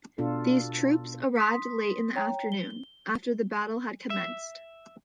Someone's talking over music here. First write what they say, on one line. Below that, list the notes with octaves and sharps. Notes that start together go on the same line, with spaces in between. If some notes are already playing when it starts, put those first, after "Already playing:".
These troops arrived late in the afternoon, after the battle had commenced.
B2 D4 F4 A4
C6 D#6 B6
C#5 G5 A#5
G7
E5